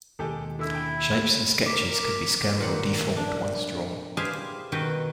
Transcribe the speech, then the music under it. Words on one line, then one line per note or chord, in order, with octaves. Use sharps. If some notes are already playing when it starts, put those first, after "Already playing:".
"Shapes" and "Sketches" could be scaled or deformed once drawn.
D#2 B2 D#3 G#3 G4 A4
D3 E4 E6
G5
A#4 D6 B6
A#2 D#3 F#5
D4
E4 G4 G#4 C5 E5 F5
B2 D#3 F#4 B4 G5